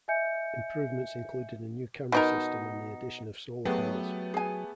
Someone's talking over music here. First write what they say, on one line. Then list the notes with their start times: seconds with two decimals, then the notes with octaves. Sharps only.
Improvements included a new camera system and the addition of solar panels.
0.08 D#5 E5 G#5 G6 C#7
2.12 B2 D#4 A#4
3.65 F#3 A3 B3 G4 G#4
4.34 G#4 G#5